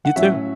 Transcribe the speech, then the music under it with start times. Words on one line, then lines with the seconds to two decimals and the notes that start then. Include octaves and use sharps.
You too.
0.05 F#5
0.16 A2 F#3 C#4 F#4 E5